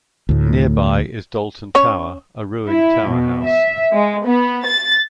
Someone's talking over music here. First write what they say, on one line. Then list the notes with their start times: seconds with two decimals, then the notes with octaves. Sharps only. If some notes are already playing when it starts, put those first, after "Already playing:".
Nearby is Dalton Tower, a ruined tower house.
0.29 D2 A2
1.75 C#4 C#5
2.68 E4
3.10 B2
3.44 E5
3.94 G#3
4.25 B3
4.67 A6